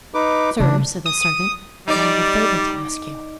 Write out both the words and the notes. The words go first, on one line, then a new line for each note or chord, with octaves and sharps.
"Sir," said the servant, "I have a favour to ask you."
D#4 B4 D6
C#3 A3 D4
D#6
G3 D#4 D5